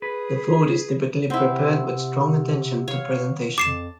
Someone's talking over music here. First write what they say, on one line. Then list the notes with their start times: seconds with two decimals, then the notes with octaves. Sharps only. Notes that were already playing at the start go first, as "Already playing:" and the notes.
The food is typically prepared with strong attention to presentation.
0.02 G#4 B4
1.30 C3 C4 E4 F#5 C6 E6
2.88 C#5 F5
3.58 F2 A5 D6 C7 E7